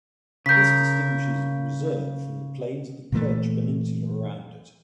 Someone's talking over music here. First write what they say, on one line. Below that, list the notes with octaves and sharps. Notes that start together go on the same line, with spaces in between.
This distinguishes the reserve from the plains of the Kerch Peninsula around it.
C#3 A#4 G6 B6
A#2 E3 A3